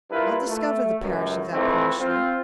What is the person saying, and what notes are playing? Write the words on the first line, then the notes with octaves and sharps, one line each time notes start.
I'll discover the parish of that parishioner.
G2 E4 F4 A#4 B4
A3
C#2 F#2
F2 G#2 E3 A3 C4
C4 F4